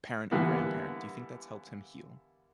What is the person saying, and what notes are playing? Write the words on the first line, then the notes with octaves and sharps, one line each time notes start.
parent and grandparent, do you think that's helped him heal?
D3 E3 G3 A#3 B3